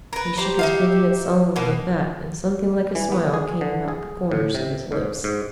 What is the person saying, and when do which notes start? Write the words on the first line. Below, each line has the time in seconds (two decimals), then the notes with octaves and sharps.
He shook his big head solemnly at that, and something like a smile came about the corners of his lips.
0.13 A#4 B4
0.38 G4 C5 A#5
0.59 D#4 E5 F5
1.56 B2 A#3
2.95 E3
3.12 B3
3.34 G#4
3.61 D3
3.88 G#4
4.31 A2
4.55 C3
4.92 G#2
5.24 G#2